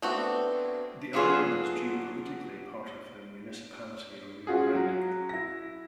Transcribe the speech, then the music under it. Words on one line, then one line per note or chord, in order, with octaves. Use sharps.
The island is geopolitically part of the municipality of Rio Grande.
A3 B3 C4 D4 F#4 B4
F#3 B3 F4 F#4 G#4 A4
C#4 F4 F#4 G#4
F#3 F#4
E4 A#6